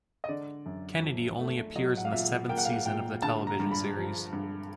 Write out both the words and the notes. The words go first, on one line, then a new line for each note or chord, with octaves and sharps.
Kennedy only appears in the seventh season of the television series.
D#5
D3 D5
F#2
F3
A3
F#3 D#5
F#5
F5
A#2 E5
A#3 G5
F#5
F5
F#5
A#2 G5
D3 A5
A#5
G2
B5
F3
G2